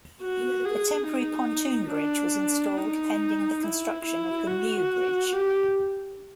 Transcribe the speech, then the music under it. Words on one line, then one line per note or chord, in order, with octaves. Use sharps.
A temporary pontoon bridge was installed pending the construction of the new bridge.
F#4
G#4
D#4
D4
D#4
E4
E4
F#4
G4